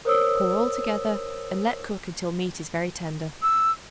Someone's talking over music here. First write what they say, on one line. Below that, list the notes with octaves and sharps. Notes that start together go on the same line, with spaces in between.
Pour all together and let cook until meat is very tender.
A#4 C5 C#5 D#6 E6
E6